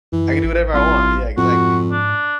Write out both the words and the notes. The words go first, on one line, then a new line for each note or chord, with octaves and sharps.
I can do whatever I want, yeah, exactly.
F#2 E3
A1
C2 F4
F2 G#2 F#4
D4